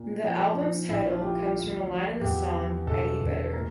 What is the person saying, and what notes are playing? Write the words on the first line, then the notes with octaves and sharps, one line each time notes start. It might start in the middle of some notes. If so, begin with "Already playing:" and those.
The album's title comes from a line in the song Eddie Vedder.
Already playing: A#2
F3
F3
A#1 E4
F4
F3 G4
F4
D2
F3
E2 G4
E3
E1 A4
E1
A#2 A#4